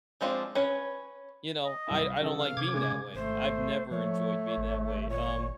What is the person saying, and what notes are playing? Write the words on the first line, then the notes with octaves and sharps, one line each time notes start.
you know, I I don't like being that way. I've never enjoyed being that way. Um,
F3 G#3 C4 D4 F4
C#4 B4 C#5
D#5
C2 E4
C#3 E3 A4
F5
C3 D6 G#6
C#3 G#3 G#5
G#1 A3 C5
F3 A3 C#5
G#1
A#2 C#5